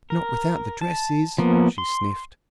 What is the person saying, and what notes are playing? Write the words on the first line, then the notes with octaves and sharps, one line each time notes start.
"Not without the dresses," she sniffed.
A#4
A5
F3 A#3 B3
C6